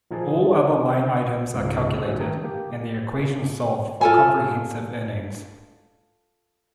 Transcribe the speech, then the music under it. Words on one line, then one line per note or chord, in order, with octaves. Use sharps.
All other line items are calculated, and the equation solved for comprehensive earnings.
A#2 F3 D#4 G#4 A5
D4
C#2 G#2
A1 A#2 C#4 F#4 E5
D#3 A3 D#4 A4 A#4
A#3 G4
F4 A4 G#5